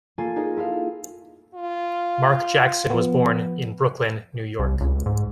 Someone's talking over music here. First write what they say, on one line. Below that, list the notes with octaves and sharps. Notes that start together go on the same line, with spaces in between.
Mark Jackson was born in Brooklyn, New York.
A#3 F4 A4 G#5 A6 C7
D#4 G#4 A#4 D#5
E4 F4 A4 F5
F4
F3 B3
C2
C#2
G#2